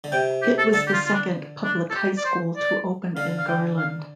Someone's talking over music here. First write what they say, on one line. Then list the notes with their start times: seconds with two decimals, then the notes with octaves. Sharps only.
It was the second public high school to open in Garland.
0.04 D3
0.12 C3 G5
0.42 G4
0.58 A4
0.73 D3 A4
0.88 G4
0.93 F4
1.06 F4
1.13 D4
1.64 D4
1.90 A4
1.95 G4
2.17 D5
2.25 C5
2.56 D5
3.16 D3 F5
3.38 F5
3.48 G5
3.78 F5